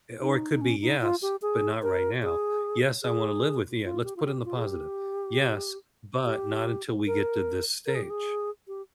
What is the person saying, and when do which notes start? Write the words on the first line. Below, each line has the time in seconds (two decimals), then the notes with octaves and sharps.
Or it could be yes, but not right now. "Yes, I want to live with you." Let's put in the positive. "Yes, but not until we get to this stage."
0.21 D#4
0.54 D#4
0.61 C#4
0.81 D#4
1.01 F4
1.22 G4
1.42 G#4
1.82 A#4
2.22 G#4
3.03 G#4
3.84 F4
4.04 G4
4.16 F4
4.24 G4
4.45 F4
4.56 G#4
4.64 G4
6.26 G4
7.07 A#4
7.86 A#4
7.95 G#4
8.03 G4
8.10 G#4
8.68 G4